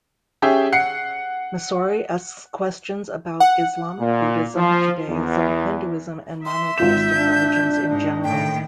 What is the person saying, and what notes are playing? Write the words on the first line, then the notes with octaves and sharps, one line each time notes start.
Messori asks questions about Islam, Buddhism, Judaism, Hinduism, and monotheistic religions in general.
C#4 G4 G#4 E5 G5
F#5 C7 C#7
F#5
A#2
F3
E2
E5 C6
G#1 F4 G6 E7
D4
G#2 D#4
A2 D#3 G5